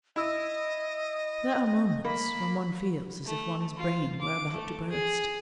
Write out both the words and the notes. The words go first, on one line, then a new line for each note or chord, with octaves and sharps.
There are moments when one feels as if one's brain were about to burst.
E4 D#5 E6
A#3 B5
A3
F4
D6
A3
G#4